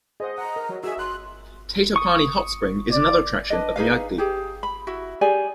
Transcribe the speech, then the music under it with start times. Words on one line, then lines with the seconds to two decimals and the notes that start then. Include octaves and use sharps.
Tatopani Hot Spring is another attraction of Myagdi.
0.20 G#4 C5 D#5 F#5
0.38 F#5 A#5
0.56 A#4
0.69 F#3
0.84 F#4 G#4 D#5 E5
0.99 C6 F#6
1.96 C#6 D#6
2.89 D5
3.50 D4 B4 D#5
3.76 D#4 G#4 B4 F5
4.18 G4 G#4
4.63 B5
4.87 E4 F#4
5.21 G4 G#4 D5 G#5